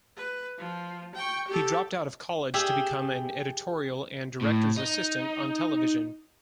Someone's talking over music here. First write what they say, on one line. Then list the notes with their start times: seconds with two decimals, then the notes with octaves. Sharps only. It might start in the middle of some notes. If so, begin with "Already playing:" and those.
He dropped out of college to become an editorial and director's assistant on television.
0.17 B4
0.58 F3
1.15 G5 C#6
1.48 G4 A4
2.54 G4 G#4 E5
4.41 A2
4.77 D#4